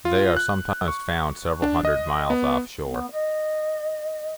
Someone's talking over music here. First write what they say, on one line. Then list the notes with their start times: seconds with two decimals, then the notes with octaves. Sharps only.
They are sometimes found several hundred miles off-shore.
0.05 F4
0.37 F#6
0.88 C#6
1.62 D4
1.85 D#5
2.30 B3
2.85 B3
3.11 D#5